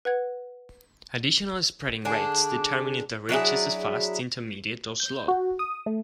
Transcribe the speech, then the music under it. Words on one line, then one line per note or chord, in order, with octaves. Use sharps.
Additionally spreading rates determine if the ridge is a fast, intermediate, or slow.
B4 F#5 G#6
D3 D4 G#4
F#3 D4 E4 G#4
G6
F#4
D#6
A3